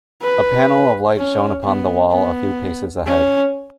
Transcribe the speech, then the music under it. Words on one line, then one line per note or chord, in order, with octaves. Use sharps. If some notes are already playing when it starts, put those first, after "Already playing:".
A panel of light shone upon the wall a few paces ahead.
B4
C#4
B3
B3
C#4